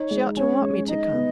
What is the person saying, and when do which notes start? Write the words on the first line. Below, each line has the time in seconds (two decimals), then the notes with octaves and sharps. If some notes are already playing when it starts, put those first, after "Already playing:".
She ought to want me to come.
Already playing: D#4 C#5
0.11 G#3
0.37 C#4 C#5
0.62 G#3
0.88 D#4 D#5
1.13 B3